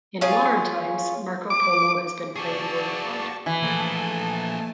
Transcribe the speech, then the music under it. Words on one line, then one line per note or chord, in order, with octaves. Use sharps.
In modern times, Marco Polo has been played worldwide.
C#4 F4 G#4
D6
F#4 G#4 D5 A5 C#6
E3
F3 A3 A#3 G#5 A5